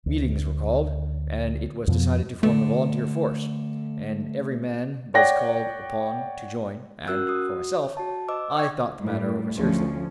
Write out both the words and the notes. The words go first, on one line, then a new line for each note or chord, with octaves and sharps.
Meetings were called, and it was decided to form a volunteer force, and every man was called upon to join, and, for myself, I thought the matter over seriously.
D2
F2 B2 F3 B3
D3 A3
C#5 D5 F#5 G5 A#6
C#4 F#4 A#4 E6 F#6
F#4 D#6
C#5
F#4 A5
C5 D#5 D6 E6
G5 C#6 G#6
A2 G3
D2 F3 C#4